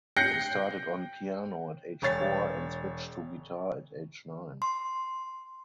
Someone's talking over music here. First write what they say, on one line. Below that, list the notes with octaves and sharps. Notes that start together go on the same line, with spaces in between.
He started on piano at age four and switched to guitar at age nine.
G5 F#6 G6 A#6 C7 C#7
E1 C#5 A6
C6